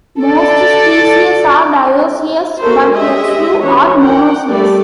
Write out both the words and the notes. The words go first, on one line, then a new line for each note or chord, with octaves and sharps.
Most species are dioecious, but a few are monoecious.
A4 D5
F#4 A4 A#4 C5
G#3 G4 D#5 E5
E3 C#4 D4 F#4 C#5
A#4 F#5 G5
G3 A3 A4 D5